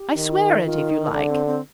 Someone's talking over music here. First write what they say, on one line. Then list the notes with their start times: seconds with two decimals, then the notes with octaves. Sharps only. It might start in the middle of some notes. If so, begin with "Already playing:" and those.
I swear it, if you like.
Already playing: G4
0.16 D#3
0.64 D#3 F4
0.90 D#4
1.02 D#4
1.13 D3 D4
1.30 C4
1.46 C4